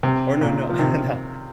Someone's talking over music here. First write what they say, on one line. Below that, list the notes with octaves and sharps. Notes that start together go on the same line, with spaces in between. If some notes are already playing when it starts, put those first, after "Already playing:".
Or, no, no, no,
C3
D#3
A#2 C#3
F3
C3 D#3